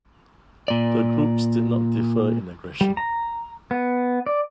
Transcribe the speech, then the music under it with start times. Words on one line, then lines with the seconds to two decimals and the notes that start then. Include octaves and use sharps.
The groups did not differ in aggression.
0.68 A#2 D5
2.81 G3
2.97 A#5
3.71 B3
4.26 D5